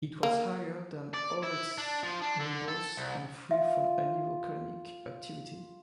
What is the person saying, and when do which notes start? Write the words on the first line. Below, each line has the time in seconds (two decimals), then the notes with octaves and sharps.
It was higher than all its neighbours and free from any volcanic activity.
0.23 A#3
1.14 D5
1.43 E4
1.78 D4
2.03 F3
2.22 D4
2.40 D3
2.68 A4
2.97 C2
3.51 F4 E5